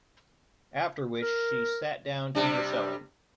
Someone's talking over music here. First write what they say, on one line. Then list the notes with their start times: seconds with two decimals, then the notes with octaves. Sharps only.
After which she sat down to her sewing.
1.22 A#4
2.35 C3 G3 D4